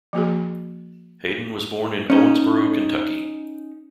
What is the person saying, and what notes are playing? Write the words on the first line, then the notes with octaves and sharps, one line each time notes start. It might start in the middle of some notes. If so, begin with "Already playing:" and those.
Hayden was born in Owensboro, Kentucky.
F3 A#3 F#4 G#4
C#4 D#4